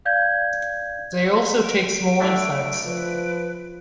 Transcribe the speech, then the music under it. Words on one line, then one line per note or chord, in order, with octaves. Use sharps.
They also take small insects.
D5 F5 G6 G#6
D7
A3 D4 E4
F3 B4